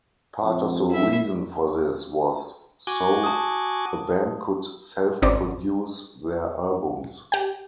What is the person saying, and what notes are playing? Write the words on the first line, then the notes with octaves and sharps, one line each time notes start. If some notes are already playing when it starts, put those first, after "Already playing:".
Part of the reason for this was so the band could self-produce their albums.
F2
E4 E5
F#4 G#5 D6 G7
A5 D#6
G#1 C4 D5
G4 G5